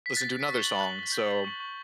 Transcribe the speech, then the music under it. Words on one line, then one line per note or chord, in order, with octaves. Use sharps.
listen to another song," so,
B6
F#6 A6
F#6
B6
C#6
G7
C#6 F#7
F#6
F#6
G6
G6
C#6
C#6